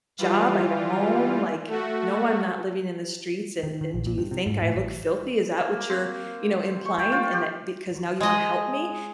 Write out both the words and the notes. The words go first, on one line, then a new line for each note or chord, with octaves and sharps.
job, I have a home, like, no, I'm not living in the streets, and and do you think I look filthy? Is that what you're, you know, implying in that because now you wanna help me?"
E3 G3 F4
A3 F#4
D#3
D#3
A#1
A#2
G2
C3
G#2
A2
A1
A#3
C4
C#6
G5
F4
G4
G#3 D#5